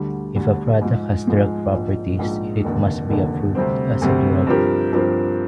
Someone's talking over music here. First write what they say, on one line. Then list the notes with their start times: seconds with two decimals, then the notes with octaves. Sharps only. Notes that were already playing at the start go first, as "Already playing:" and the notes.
If a product has drug properties, it must be approved as a drug.
Already playing: D2 D3 G3
0.35 D2 D3 G3
0.82 G#2 F3 G#3
1.27 G#2 F3 G#3
1.73 A#1 G#2 F3
2.19 A#1 G#2 F3
2.64 F1 D#2 D3
3.09 F1 D#2 D3
3.55 D2 C3 G3 C4
4.01 D2 C3 G3 C4
4.47 G2 F3 C4 G4 A#4
4.93 G2 F3 C4 G4 A#4